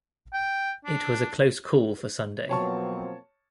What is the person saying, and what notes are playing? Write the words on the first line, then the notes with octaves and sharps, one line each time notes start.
It was a close call for Sunday.
G5
D4
B2 F3 F#3 A#3 C4 C#5 A5 C#6